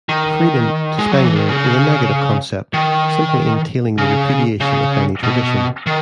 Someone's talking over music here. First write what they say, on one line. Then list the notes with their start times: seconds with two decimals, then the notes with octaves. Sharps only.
Freedom, to Spengler, is a negative concept, simply entailing the repudiation of any tradition.
0.09 D#3
0.99 G#3
1.12 F#3
1.24 E3
1.36 D#3
1.49 C#3
2.74 D#3
3.98 C#3
4.61 C#3
5.23 B2
5.87 D#3